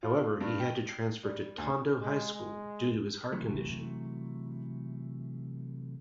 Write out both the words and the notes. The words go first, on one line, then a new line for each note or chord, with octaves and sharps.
However he had to transfer to Tondo High School due to his heart condition.
F4
G2
G5
C7
G3
D2
G#3
G#3
C3 E3 F#3 A3